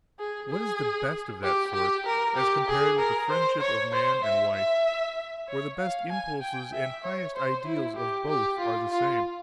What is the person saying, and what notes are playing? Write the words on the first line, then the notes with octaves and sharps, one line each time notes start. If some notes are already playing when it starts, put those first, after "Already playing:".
What is the best of that sort, as compared with the friendship of man and wife, where the best impulses and highest ideals of both are the same?
G#4
G#4
G4
G4
A#4
G4
G#4
A#4
C5
C#5
C5
E5
E5
C#5
F5
G#5
G5
E5
C#5
C5
E4
G4
G4
F4
F4